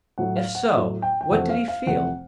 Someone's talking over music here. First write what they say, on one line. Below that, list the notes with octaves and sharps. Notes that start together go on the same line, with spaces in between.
If so, what did he feel?
A2 F#3 A3 F#5
F5
F#5
A2 F#3 A3
G5
G5
F2 C3 E3 A3 F#5
F5
F5
F2 C3 E3 A3 F#5